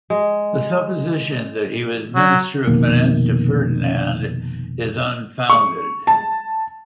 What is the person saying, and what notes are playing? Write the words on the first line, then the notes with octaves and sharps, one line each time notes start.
The supposition that he was minister of finance to Ferdinand is unfounded.
G#3
F#3
F1 B2 D#3 A#3
C#6
A5